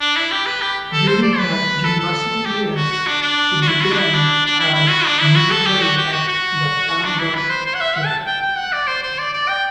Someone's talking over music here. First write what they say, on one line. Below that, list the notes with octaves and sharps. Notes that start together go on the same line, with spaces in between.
During her university years, she began her music career at the Kalambur theater.
D4
E4
G4
B4
G4
A4
C5
D5
B4
A4
A4
G4
F#4
F#4
D4
D4
F#4
E4
F#4
D4
E4
D4
D4
E4
E4
F#4
D4
E4
F#4
A4
G4
F#4
G4
F#4
F#4
D4
E4
B4
C5
C5
F#5
E5
F#5
A5
G5
G5
F#5
D5
C5
C5
D5
D5
G5